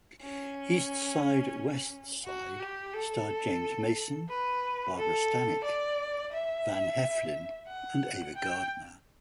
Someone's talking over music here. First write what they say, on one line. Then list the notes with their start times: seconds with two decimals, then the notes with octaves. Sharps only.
"East Side, West Side" starred James Mason, Barbara Stanwyck, Van Heflin, and Ava Gardner.
0.22 C#4
2.25 F#4
2.59 G4
2.93 A4
4.29 B4
4.97 A4
5.64 D5
6.31 E5
7.67 F#5
8.35 G5